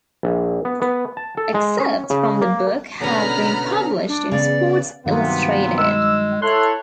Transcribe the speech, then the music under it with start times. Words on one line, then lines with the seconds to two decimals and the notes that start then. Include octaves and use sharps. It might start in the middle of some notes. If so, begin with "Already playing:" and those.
Excerpts from the book have been published in "Sports Illustrated".
0.23 A#1
0.65 B3
0.82 B3
1.17 A5
1.37 A4
1.54 G#3
1.80 C#4
2.10 C#3
2.42 A#3
3.01 B2 D3 B3 C#4 A#5 B5 F6
4.08 D4
4.31 C#3 B3 D5
5.06 G2 C3 D#3 F#3 A#3 B3
5.78 G#3 E6
6.42 E4 A4 C#5 C6 F#6